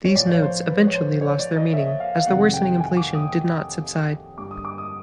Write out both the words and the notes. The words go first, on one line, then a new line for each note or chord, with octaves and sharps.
These notes eventually lost their meaning as the worsening inflation did not subside.
C#5
A2 F3 D5
C#5
C5
C5
B4
C#5
C5
C#5
D5
D#5
E5
F5
F5
F2 C3 D#3 F#5
G5
G#5
D6
D#6
G2 D3 G3 D6
D#6
D6
D#6